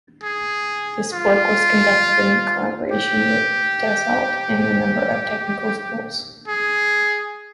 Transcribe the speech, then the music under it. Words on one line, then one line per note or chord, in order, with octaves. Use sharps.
This work was conducted in collaboration with Dassault and a number of technical schools.
G#4
F4
G4
G#4